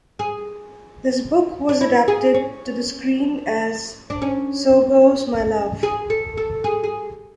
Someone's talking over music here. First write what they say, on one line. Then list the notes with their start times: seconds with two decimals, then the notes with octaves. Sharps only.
This book was adapted to the screen as "So Goes My Love".
0.19 G#4
1.69 D4
1.81 E4
2.08 G#4
2.34 C#4
4.10 D4
4.22 C#4
5.83 G#4
6.10 A4
6.37 A4
6.64 G#4
6.84 G#4